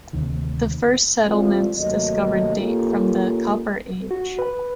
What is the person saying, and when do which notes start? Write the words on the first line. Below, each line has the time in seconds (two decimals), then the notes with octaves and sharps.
The first settlements discovered date from the Copper Age.
0.13 D2 C3 D#3
1.26 E3 G3 A3 C4 F4
1.77 D#2 C3 D#3 F#3 A3 D#5
2.56 A#3 C#4 D#4 F4 G4 A4
4.11 F#4
4.39 B4